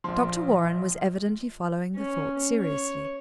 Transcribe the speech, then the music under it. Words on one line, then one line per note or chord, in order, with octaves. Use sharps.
Dr. Warren was evidently following the thought seriously.
A#1 F3 C6
C#4
C#5